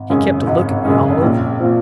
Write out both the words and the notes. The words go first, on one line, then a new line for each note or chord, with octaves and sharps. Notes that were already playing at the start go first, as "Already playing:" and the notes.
He kept a-looking me all over.
Already playing: G#1
F#2 C#3 G#3 C#4
G#1
F#2 C#3 G#3 C#4
A#1
A#2 F3 C4